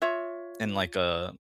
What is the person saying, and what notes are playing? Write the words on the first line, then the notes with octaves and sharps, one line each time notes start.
in, like, a
F4 C#5 E5